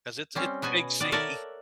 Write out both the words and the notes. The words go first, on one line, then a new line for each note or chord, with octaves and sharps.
'cause it's it's a big sea,
G3 C4 C#4
B2 B3 F#4 G#5
D#3 B3 D5
A4 A#4 C#5 D5 E5 F#5